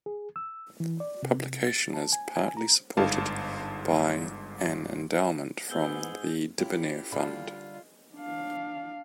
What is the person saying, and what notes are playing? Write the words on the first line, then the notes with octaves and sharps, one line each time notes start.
Publication is partly supported by an endowment from the Dibner Fund.
G#4
E6
E3
D5
C3
A6
A5
G#5
G#5
A#5
G1 G#2 F5 A5
G#2 B3 G#4 E6 G6 G7
C#4 E4 F4 G4
D3 G3 F4 F5 A5 B5
D4 F5